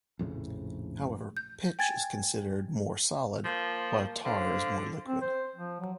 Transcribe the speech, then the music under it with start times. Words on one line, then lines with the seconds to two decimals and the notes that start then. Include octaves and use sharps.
However, pitch is considered more solid, while tar is more liquid.
0.19 A#1 F2 A2 C#3
1.37 G6
1.79 G5 G#5 G#6 A6
3.44 F3 A#3
4.25 D3 C5 F5
5.08 C4
5.22 C5
5.56 F3
5.80 F#3